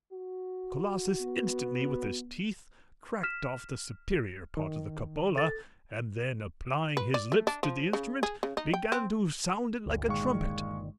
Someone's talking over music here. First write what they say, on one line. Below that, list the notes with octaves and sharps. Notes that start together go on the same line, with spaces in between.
Colossus instantly, with his teeth, cracked off the superior part of the cupola, and then applying his lips to the instrument, began to sound it like a trumpet.
F#4
B3
F6 B6 E7
D#3
A4 A6
B4
D5
A3
D4
F3
C#3
G#4
C#3
D#4
G5
C4
G1 D2
G1 A#2 D#3 G#3 F5 C#6